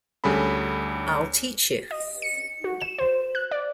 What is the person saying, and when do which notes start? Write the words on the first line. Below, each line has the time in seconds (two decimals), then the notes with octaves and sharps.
I'll teach you.
0.24 D2 G3 C#4 G#4 A4 B5
1.91 D#5
2.22 C#7
2.64 F#4
2.80 E7
2.98 C5
3.35 F#6
3.51 D5